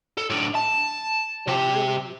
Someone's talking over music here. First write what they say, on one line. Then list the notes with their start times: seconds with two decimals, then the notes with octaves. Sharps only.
and really,
0.18 A4
0.30 A2 D4
0.55 A5
1.48 C3 G4